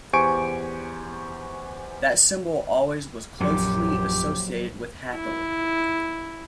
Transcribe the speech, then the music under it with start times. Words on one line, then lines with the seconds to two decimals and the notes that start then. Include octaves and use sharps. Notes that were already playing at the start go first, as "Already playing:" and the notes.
That symbol always was closely associated with Hathor.
0.13 E2 G4 C5 G#5 C#6 D7
3.40 A#1 F#2 F3 F#3 G4
5.14 E4